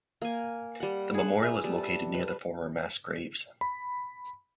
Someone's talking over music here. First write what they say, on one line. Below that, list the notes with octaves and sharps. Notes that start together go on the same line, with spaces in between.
The memorial is located near the former mass graves.
A#3 G#5
G3 F#5
G#4 F#5
B4 E5
G3 A5
B4
B5